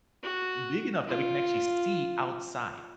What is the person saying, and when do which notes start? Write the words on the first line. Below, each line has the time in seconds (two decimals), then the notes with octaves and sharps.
big enough that we can actually see outside.
0.23 F#4
1.08 F4